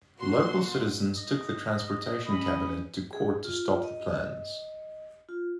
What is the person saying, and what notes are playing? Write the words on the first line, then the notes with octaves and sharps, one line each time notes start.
Local citizens took the Transportation Cabinet to court to stop the plans.
B2 A#3 F#4 C6
D#5
C#4 B5
G#4
F4
D#5
F4